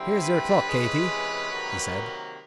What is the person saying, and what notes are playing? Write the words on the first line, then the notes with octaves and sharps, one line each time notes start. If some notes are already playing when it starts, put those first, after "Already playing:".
"Here's your clock, Katy," he said.
Already playing: D3 G3 C4 E4
B4
C3 E3 G#3 C#4
C3 D#3 F#3 A#3